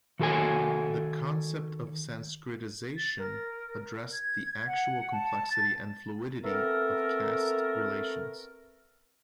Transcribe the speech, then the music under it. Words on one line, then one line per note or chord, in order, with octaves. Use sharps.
The concept of sanskritisation addressed the actual complexity and fluidity of caste relations.
D#3 F#4 A4 A#4 G#5
A6
A#4
G#6
F#5
A5
A6
A3 B3 C4 A4 A#4